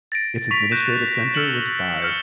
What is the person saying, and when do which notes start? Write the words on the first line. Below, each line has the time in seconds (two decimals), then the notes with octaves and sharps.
Its administrative centre was Buy.
0.12 A6 A#6 D7
0.51 C#6 B6 F7
0.71 F#6 G6 A#6 D#7 E7
1.34 E6 F6 A6 C#7 E7 F#7
2.00 F6 G6 C#7